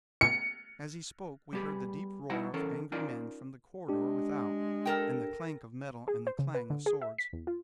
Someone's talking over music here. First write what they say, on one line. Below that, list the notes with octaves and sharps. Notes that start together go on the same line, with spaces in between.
As he spoke we heard the deep roar of angry men from the corridor without, and the clank of metal and the clang of swords.
C#7
G3 B3 G4 G#4
G3 D#4 E4 F#5 A#5
E3 C#4 A4 A#4
C#4 D#4 F4 A#4 D5
G#3 D4 G4
A4 A#4 G5
G#4
C5
C#3
B4
D3
G#4
E5
B6
E2
F4